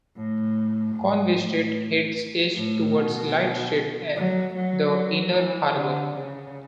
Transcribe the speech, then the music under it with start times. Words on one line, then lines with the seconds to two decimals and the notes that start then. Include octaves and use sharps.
Conway Street heads east toward Light Street and the Inner Harbor.
0.16 A2
0.96 G#2
1.35 A2
2.56 A2
2.95 B2
4.16 F#3
4.55 F#3
5.35 E3
5.75 D3
6.15 C#3